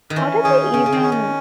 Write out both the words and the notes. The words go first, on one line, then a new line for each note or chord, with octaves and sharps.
How did they even
D#3
E3 C#4
D#3 G#4
C#3 C#4
C#3
D#3
C#4
D#3